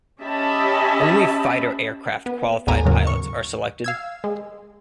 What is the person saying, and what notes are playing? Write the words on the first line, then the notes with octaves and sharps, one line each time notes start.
Only Fighter aircraft qualified pilots are selected.
C#4 G4 D#5 E5 A5 B5
B3
A1 D#2 A2 B3 G#5 A#5
D#2 G#2 C#3 F#3 A#4
C#6
F5 E6 G#6
G#3